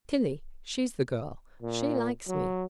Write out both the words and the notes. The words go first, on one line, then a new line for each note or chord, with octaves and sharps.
Tillie--she's the girl--she likes me.
A#2
F#3